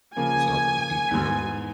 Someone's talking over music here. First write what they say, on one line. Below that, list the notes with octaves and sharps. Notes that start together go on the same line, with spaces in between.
it's all thinking through,
C#3 F3 A#3 G#5
E2 G#2